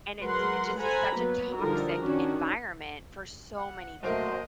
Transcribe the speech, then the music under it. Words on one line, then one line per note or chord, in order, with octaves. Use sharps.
And it's it just is such a toxic environment for so many people.
F#3 G#3 A#4 B4 F#5 C6
A4 C5 F#5 G#5 A#5 B5
F#3 A#3 B3 B4
D3 F3 G3 D#4 A4 A#4
D#3 C#4 D4 F#4
F#5
B1 A3 A#3 F#4 A#4 C5 D#5